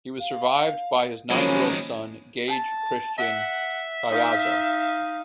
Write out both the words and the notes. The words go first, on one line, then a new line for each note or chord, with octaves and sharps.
He was survived by his nine-year-old son, Gage Christian Caiazzo.
F5
D#3 F3 F#3 G#3 A#3 C#4 B5
A5
E5 F#5
D#4 F5